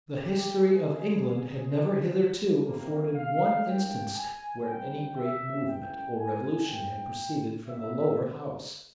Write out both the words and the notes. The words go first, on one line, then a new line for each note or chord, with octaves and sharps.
The history of England had never hitherto afforded one instance where any great movement or revolution had proceeded from the lower house.
G4
C#2 C#3 E3 G#3 G#4
C#2 C#3 E3 G#3
C2 C3 G3 A#3
F5
G2 E3 A#3 G5
G#5
F2 C#3 G3 A#3 G5
E5
C#2 C#3 E3 G5
G#5
G2 E3 G#3 G5
G2 G3 A#3 E5